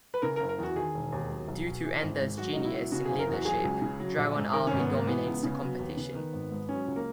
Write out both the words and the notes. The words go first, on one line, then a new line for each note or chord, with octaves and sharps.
Due to Ender's genius in leadership, Dragon Army dominates the competition.
B4
C#3 A#4
A#4
F#1
A#4
E2 F#4
D#3 G#4
E1
D#2
F#3
B1
B2
E3
G#1
G#2
F#3 F#4
C#2 D#4
E4
B2
C#3 F#4
F#1 G#4
A#4
E2 F#4
F#3 G#4
C#2
C#3
F#3
A#1
G#2
D#3 A#4
G#1 C#4
B3
G#2
A#3
E3 B3
C#2
C#3
F#3
D#2
C#3
D#3
G#1
G#2
F#3 C#4
C#2
A#3